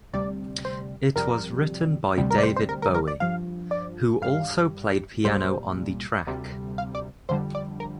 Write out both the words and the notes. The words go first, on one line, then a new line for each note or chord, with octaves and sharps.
It was written by David Bowie, who also played piano on the track.
D2 C3 G3 D5
C5
F2 C3 G3 A#4
D2 C3 G3
A#4
D5
C5
C5
A#4
A#4
A#4
D5
G2 F3 F5
D5
G2 G3 F5
C2 A#2 G3 C5
D2 C3 G3
F5
D5
F2 D3 G3 C5
D5
A#4